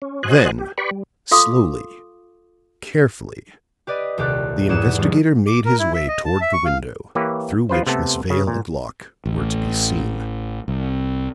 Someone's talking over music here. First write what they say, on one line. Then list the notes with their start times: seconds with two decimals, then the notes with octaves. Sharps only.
Then slowly, carefully, the investigator made his way toward the window through which Miss Vale and Locke were to be seen.
0.02 C#4
0.23 F#4 C5 D#5 G#5 F#6
0.59 G4
0.78 G4 B4 D5 B5 C#6
0.91 G3
1.31 F4 A4 F5 C6 D6 D#6
3.87 G4 B4 D5 D#5
4.18 D#1 C2 G4 D5 F#6
4.69 E2 G#2 G#4 F#5 D#6 E7
4.97 D#3 F3 G3 G#3 C#4
5.47 D6
5.66 A#4
5.79 E4
5.94 E5
6.08 D#5
6.25 A5
6.41 E5
6.53 C#6
6.65 F5
7.15 E3 A#3 G4 B4 C#5
7.69 F3 F4 B4 C5
7.87 C3 A3 B3 A4
8.30 C#3
8.47 A#2
9.25 A1
10.68 C2